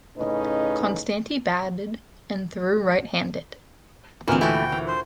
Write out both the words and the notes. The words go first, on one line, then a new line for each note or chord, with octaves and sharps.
Konstanty batted and threw right-handed.
A2 C#3 C#4 D#4 B4 D#5
D2 A#2 E3 G#3 C4 F#4 A#4
E3 A3 E4 F#4 G5
E3
C5